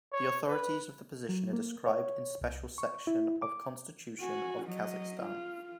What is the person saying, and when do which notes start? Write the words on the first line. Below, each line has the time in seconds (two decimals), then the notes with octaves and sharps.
The authorities of this position are described in special section of Constitution of Kazakhstan.
0.13 C#5
0.48 B4
1.29 F#3
1.53 A#3
1.86 C#5
2.41 C2
2.78 C#6
3.07 E4
3.42 D6
4.20 F#4 G#5
4.65 F#3 D#5
5.23 F4